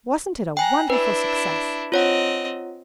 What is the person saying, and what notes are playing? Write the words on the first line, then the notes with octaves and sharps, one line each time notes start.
Wasn't it a wonderful success?
G5 G#5 A#5 F#6
D4 E4 B4
C4 F4 C#5 D#5 F#5